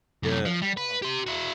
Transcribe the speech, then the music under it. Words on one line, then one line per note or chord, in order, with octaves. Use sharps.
Yeah, wow.
F#2 C3
F3
G3
B4
G4 C6
E4 F#4